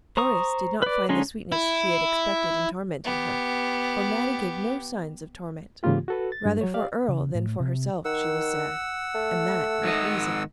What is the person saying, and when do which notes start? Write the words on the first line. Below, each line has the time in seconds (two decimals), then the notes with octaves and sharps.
Doris did not find the sweetness she had expected in tormenting her, for Mattie gave no signs of torment--rather for Earle than for herself she was sad, and that with reason.
0.17 C5 A#5 C#6 D#6
0.82 B4 D5
1.09 D3 G#3 C#4 D#4 C6
1.52 E4
3.04 B3 G4
5.83 G#2 C#3 E3 A#3 F4 G4
6.08 F#4 A4 B4
6.32 A6
6.45 G2
6.61 F#3 C#5
6.74 G4 D5 F5
7.08 C#3
7.35 A2
7.60 C3
8.05 D#3 F#5 E6
9.15 A3
9.83 G#2 D#3 D#5